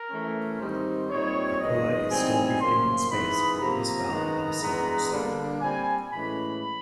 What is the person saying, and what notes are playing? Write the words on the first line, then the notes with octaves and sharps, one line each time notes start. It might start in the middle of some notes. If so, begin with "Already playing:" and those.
Krakoa is still drifting in space where it was found by the Silver Surfer.
Already playing: A#4
E3 A3 C#4
G#2 D#3 G3 C4 D#4 C5
A#2 G3 C4 D#4 C#5
F#2 D#3 G#3 B3 D#5
E3 G3 C4 D#4 G#5
F#2 C#3 F3 A#3 C6
E3 G#3 B3 D#4 B5
C3 F3 A#3 A#5
D#3 G#3 B3
E3 G#3 B3 D4 A#5
D3 G3 A#3 D4
A#2 G3 C4 G#5
A2 E3 G#3 C#4 B5